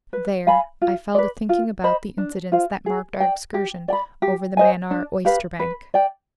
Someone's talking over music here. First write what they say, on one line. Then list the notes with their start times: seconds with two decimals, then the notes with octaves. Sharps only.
There I fell to thinking about the incidents that marked our excursion over the Mannar oysterbank.
0.13 B4
0.47 F5 G#5 B5
0.82 F4
1.15 B4 D5
1.49 F4
1.84 C5 D#5 B5
2.18 D4
2.52 F4 C5 F5
2.86 G#4
3.20 D5 G5
3.54 G4
3.88 D5 G5
3.93 B5
4.22 G4
4.57 C5 D#5 G#5
4.91 D4
5.25 G4 B4 F5
5.59 B4
5.94 D5 G5